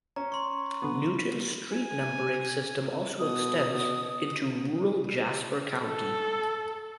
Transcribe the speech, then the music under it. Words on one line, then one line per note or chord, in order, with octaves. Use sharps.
Newton's street numbering system also extends into rural Jasper County.
C#4 A#5
C6 C#6
B2 D3 B4
G#5
B2 D#6
A4